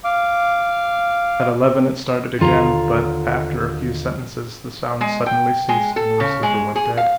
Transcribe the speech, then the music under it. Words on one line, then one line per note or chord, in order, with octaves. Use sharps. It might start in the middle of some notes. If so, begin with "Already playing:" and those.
At eleven it started again but after a few sentences the sound suddenly ceased and the receiver went dead.
F5 D6
D#2 D3 F4 A#5
G#3
G5
G#3
A4
C#3
G#3
G#4
F5